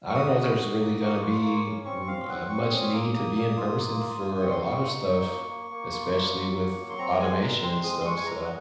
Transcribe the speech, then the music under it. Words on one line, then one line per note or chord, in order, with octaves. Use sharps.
I don't know if there's really gonna be r uh much need to be in person for a lot of stuff, especially with automation and stuff. So
C#6
F#4 D#6
F#4
F#4
A#3
A#3 C#6
D#6
F4 C#6
A#3 C#6
C#4
C4 C#6
C4 F5
C4 F#5
C4 C#6
C#4 D#6
A#3
A#3
A#3
F4
A#3
F4
F4
C4 C#6
C6
C4 C#6
D#4
D#4
A#3
A#3
A#3
F4
A#3
F#3
A#3
F#3
C6
C4 A#5
G#3 G#5
G#3 A#5
C4 C6
G#3 D#6
C6
G#3 C#6
G#5
G#3 A#5
F#5